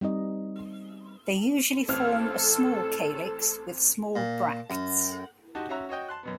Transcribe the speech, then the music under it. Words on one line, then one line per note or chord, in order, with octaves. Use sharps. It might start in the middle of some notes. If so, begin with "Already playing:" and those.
They usually form a small calyx with small bracts.
G3 C4 D#4 D#5
A1 C4 A4 F6
A#2
F#2
D#4 F#4 G4 F#5 A5
C#4 F#4 C#5 E5 F#5 A#5
F#4 C#5 D#5 G5
A5 C6 F#6
F#2 B2 B3